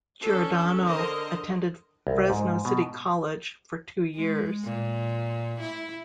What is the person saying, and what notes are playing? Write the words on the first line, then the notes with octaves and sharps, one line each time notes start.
Giordano attended Fresno City College for two years.
C#4 D4 A4
D3 A#4 C5 D#5
C2
G#2
B2
G#3
A#2
E4